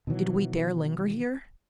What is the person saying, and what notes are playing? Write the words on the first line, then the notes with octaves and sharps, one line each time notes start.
Did we dare linger here?
B2 D#3 E3 F#3